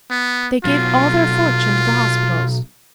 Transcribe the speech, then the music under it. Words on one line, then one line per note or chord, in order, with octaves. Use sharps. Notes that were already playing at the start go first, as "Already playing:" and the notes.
"They gave all their fortune to the hospitals."
B3
B2 F#3 F4